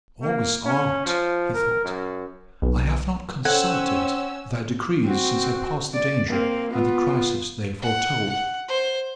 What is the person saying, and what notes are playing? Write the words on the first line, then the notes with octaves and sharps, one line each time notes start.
'August art!' he thought, 'I have not consulted thy decrees since I passed the danger and the crisis they foretold.
A#3
C#4
F3
A#4
F#2
B1
C4 C#4 A4 F#5 E6 G#6
C4 F#4
D5
A#3 C4
B3 F4
F#5
F#5
C5